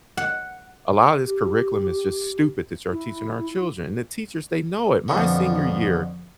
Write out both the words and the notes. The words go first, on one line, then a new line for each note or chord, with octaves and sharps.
a lot of this curriculum is just stupid that you're teaching our children." And the teachers, they know it. My senior year,
F#5
G4
E4
F2 B2 D3